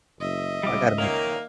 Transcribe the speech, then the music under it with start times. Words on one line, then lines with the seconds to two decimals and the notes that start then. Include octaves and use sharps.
I gotta meet them up.
0.20 F#1 D#5 E5
0.63 C#2 G3 F4 D6
0.98 D#3 A#3 A#4 C#5